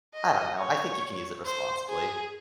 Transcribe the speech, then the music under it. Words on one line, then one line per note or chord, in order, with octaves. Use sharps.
I don't know. I think you can use it responsibly.
D#5
C#5
C5
G#4